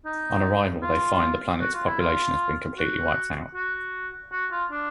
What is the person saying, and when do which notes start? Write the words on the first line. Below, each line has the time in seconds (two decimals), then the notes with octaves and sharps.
On arrival, they find the planet's population has been completely wiped out.
0.06 D#4
0.83 F4
1.61 F#4
1.74 F4
1.87 E4
1.99 F4
2.77 F#4
3.55 F#4
4.32 F#4
4.52 F4
4.71 D4